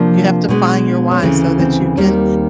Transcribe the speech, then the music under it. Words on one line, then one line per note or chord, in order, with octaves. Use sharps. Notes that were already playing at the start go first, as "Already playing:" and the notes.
You have to find your "why" so that you can
Already playing: C3 F3 A#3 D4
B2 G#3 B3
C#4
D2 C#3 E3 A3 C4
C4
D#2 D#3 G3 A#3